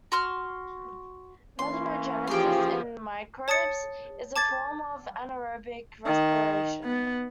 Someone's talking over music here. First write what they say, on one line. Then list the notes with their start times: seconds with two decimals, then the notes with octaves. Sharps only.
Methanogenesis in microbes is a form of anaerobic respiration.
0.12 F#4 C6 F6
1.59 E3 A#3 C#4 C6
2.27 F3 G4 G#4 G5 C6
3.48 C#5 A5 D#6 A6 C#7
4.36 A5 D6 G#6 A6
6.06 D#3
6.84 B3